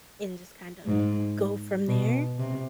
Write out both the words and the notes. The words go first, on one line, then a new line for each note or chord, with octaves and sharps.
and just kinda go from there.
G#2
B2
C3